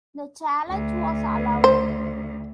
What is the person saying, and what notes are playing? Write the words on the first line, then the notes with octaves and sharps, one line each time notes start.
The challenge was allowed.
D2
C5